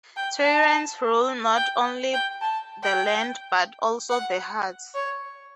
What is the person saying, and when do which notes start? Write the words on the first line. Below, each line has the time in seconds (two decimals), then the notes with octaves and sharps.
Tyrants rule not only the land, but also the hearts.
0.16 G5
0.44 A5
1.56 G5
2.13 G5
2.41 A5
2.83 G5
4.10 F#5
4.94 C#5